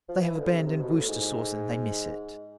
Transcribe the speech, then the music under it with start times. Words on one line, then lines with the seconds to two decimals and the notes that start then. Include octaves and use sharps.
They have abandoned Worcester sauce, and they miss it.
0.09 F3
0.22 E3
0.37 D3
0.52 C3
0.66 C3
0.80 B2
0.94 A2
1.08 G#2